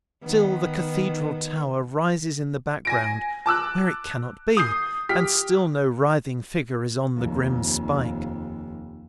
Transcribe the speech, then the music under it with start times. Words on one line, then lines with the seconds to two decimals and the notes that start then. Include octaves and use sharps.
Still the Cathedral Tower rises in the background, where it cannot be, and still no writhing figure is on the grim spike.
0.24 D#3 B3
2.85 G#5 A#6 D7
3.46 A5 D6 E6 F#6
4.57 D#6 G6 C7
5.09 G4 F6 B6
7.16 F1 D#2